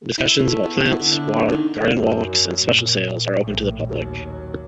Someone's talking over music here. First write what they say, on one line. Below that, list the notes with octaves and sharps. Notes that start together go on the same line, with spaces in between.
Discussions about plants, garden walks and special sales are open to the public.
E4
A3
B3
E4
D3
D4
D#3
F#2 F#3
A#2
A#1 A2
D#2 F#3